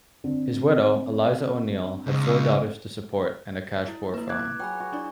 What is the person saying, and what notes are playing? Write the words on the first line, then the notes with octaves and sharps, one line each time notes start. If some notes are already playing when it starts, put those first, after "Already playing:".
His widow, Eliza O'Neal, had four daughters to support and a cash-poor farm.
D3 C4
C#2
E4
A#3 E4 B4
D6 F#6 G#6
F#3 G#4 G5 B5
F#4
D4 E4 D5